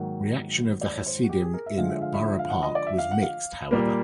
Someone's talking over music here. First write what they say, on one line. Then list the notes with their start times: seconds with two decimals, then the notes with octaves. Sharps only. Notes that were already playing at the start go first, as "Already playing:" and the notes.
Reaction of the Hasidim in Borough Park was mixed, however.
Already playing: G#2 D#3 F#3 A#3 F#5
0.81 D5
0.94 C#5
1.06 C5
1.24 F#4
1.29 G4
1.42 G#4
1.54 A#4
1.66 E5
1.78 D3 F3 G#3 F5
1.90 E5
2.02 F5
2.14 E5
2.26 E5
2.39 F5
2.50 F#5
2.63 D#5
2.75 D5
2.87 E5
2.98 F5
3.11 F#5
3.22 F5
3.71 A#2 G3 A#3